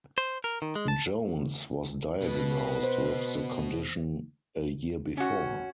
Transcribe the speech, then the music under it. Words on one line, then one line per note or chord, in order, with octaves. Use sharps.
Jones was diagnosed with the condition a year before.
C5
A#4
D#3
G#3
A5
B2 B4
C5
C#4 F#4